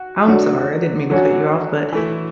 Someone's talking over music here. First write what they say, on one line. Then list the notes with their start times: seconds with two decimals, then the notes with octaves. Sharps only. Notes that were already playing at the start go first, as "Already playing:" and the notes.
I'm sorry, I didn't mean to cut you off, but
Already playing: F#4
0.27 D3 F#3 A3 D4 F#4
1.10 D3 F#3 C#4 F#4
1.92 E3 A3 E4